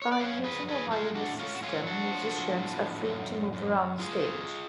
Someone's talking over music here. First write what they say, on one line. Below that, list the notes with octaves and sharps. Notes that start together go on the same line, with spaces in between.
By using a wireless system, musicians are free to move around the stage.
C#5
D5
F#2 C#5 F5
G#4 B4
F#3 G#4 B4
F4 G#4
A2 D4 F#4
C#4 F4
F#4
F#3 C#4 F4
D4 F#4
F3
A2
F#2
F#2
F2 F4 G#4